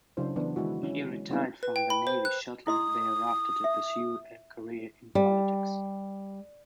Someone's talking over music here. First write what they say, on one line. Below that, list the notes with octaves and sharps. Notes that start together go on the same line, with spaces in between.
He retired from the Navy shortly thereafter to pursue a career in politics.
C#3 F#3 D4 E4 C5
E3 B3 D4
D#3 G#3 E4 F#4
C#4 E4 F#4
G#3
G3 B3 C4 D4 E4
B4
G5
B5
C5
F#6
E4 D#5 C6 D#6
E5
G3